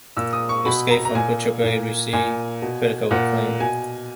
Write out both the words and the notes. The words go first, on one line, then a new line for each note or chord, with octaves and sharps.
"Escape From Butcher Bay" received critical acclaim.
A#2 E6
D#6
C#6
B2 B5
A#5
A#5
A#2 G#5
A#2
A#2 G#5
B2
A#2 F#5
B2 G#5